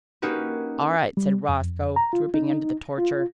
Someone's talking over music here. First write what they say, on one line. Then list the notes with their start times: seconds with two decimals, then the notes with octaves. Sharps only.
"All right," said Roscoe, drooping under the torture.
0.22 A#3 C#4 D#4 F#4 G4 B4
1.17 G3
1.49 F2
1.96 A#5
2.13 F4
2.34 D#4
2.98 F4